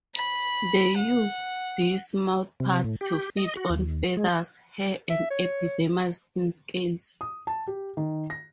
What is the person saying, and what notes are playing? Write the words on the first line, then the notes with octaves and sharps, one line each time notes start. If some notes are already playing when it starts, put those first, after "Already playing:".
They use these mouthparts to feed on feathers, hair, and epidermal skin scales.
B5
F#5
C3
A2
G4
D#5
F#4
D#2
G#3
E5
C#5
D#6
A5
G4
D#3
A#6